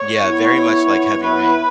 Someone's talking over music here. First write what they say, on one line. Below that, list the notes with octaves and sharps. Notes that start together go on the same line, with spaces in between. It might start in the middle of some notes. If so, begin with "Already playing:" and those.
Yeah, very much like Heavy Rain.
Already playing: C#5
B3 E4
C#5
B3 E4 B4